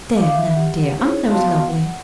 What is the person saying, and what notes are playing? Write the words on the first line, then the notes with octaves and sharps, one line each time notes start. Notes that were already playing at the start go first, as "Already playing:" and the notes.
There, Nannie dear, aren't those lovely?
F5 D6
E5
G4 F#5
C#4 D#4 E4 G#4 C5 C#5
B3 F#4 F5 A5 C6
F#5